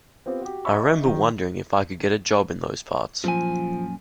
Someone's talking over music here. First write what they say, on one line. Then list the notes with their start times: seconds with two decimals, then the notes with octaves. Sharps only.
I remember wondering if I could get a job in those parts.
0.26 B3 C4 F4 G4 C5
0.42 F#4 G4
0.65 D#5 E5 G5 B5 C#6 E6
1.05 D#3 F#3
3.24 F#2 A#2 F3 G#5